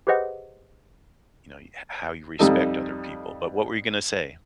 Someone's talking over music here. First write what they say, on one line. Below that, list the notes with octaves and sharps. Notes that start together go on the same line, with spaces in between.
you know, ho how you respect other people, but what were you gonna say?
G4 G#4 B4 C5 D#5 F#5
F2 G3 D#4 A4